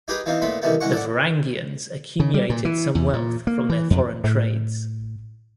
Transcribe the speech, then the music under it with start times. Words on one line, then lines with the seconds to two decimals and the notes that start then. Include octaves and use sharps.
The Varangians accumulated some wealth from their foreign trades.
0.08 D#4 G4 G#4 B4 G5 A#5
0.26 E3 B3 C4 D#4 F4
0.42 A#2 A3 B3 B5 C6
0.62 C3 D#3 E3 G3 A3 B3
0.81 C2 E3 G#3 F#5 C#6
0.92 A4 D5 F#5
2.20 C#3
2.34 G3
2.50 A#2
2.65 E3
2.95 E2
3.13 A#2
3.47 A#3
3.70 E3
3.90 F2
4.24 A2